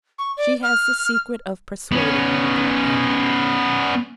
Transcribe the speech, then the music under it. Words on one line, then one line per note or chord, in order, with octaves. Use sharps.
'She has the secret of persuading him,' thought Anna.
C#6
D5
F6
B3 C#4